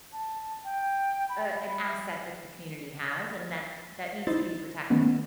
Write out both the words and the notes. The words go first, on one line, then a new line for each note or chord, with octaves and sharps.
a an asset that the community has and that that needs to be protected.
A5
G5
B5
E5
D#4 E4 C5 A6
D#3 A3 B3 C#4